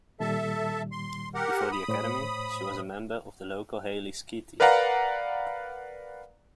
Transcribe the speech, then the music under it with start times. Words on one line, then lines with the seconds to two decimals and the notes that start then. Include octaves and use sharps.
Before the academy, she was a member of the local Hailey Ski Team.
0.20 A#2 D#3 G3 A4 E5 A5
0.92 C6
1.35 G4 A#4 F#5
1.71 B5 D#6
1.88 A2 C5 C#5
4.60 A#4 B4 D5 F5 F#5 A#5